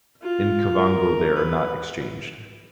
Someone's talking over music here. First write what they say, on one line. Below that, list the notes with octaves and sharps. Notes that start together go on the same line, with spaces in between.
In Kavango, they are not exchanged.
F4
A#4
B4